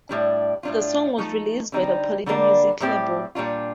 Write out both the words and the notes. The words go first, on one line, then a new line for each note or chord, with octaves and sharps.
The song was released by the Polydor music label.
A2 G3 D4
A2 G3 D4 F4
F3 A3 D#4 A4
D3 G3 C4 D#4
D3 G3 A#3 D4
A2 G3 C4 G4
A#2 G3 A#3 D4 F4